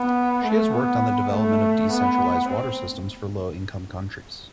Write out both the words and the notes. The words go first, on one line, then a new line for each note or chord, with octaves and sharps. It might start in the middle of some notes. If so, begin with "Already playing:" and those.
She has worked on the development of decentralized water systems for low income countries.
Already playing: B3
A3
B3
A3
B3
C4